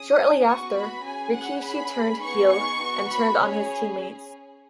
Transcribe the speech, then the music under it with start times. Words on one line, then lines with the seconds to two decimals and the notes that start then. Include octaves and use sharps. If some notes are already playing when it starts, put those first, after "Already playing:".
Shortly after, Rikishi turned heel and turned on his teammates.
Already playing: C#4 G#4 D#6
0.45 B3 F#4 C#6
0.75 B5
1.04 C#4 G#4 G#5
1.34 F#5
1.63 C#4 G#4 B5
2.22 B3 D#4 G#4 C#6
2.51 C#6
2.82 B3 F#4
3.11 B5
3.40 C#4 G#4 C#5